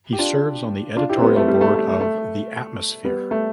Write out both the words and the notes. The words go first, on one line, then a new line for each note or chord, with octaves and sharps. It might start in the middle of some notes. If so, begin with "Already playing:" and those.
He serves on the editorial board of the "Atmosphere".
G4
D4 F4
D4 F4
E4 G4
C4
G3 B3
A3
G3
A3
A3
A3
A3
G3 B3
A3